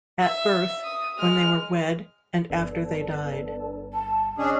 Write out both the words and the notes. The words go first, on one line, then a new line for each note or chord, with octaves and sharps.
At birth, when they were wed and after they died.
E5
D#6
G#3 F6
G1 B3 D4 A4
A5
C#3 C#4 D4 G#4 D#5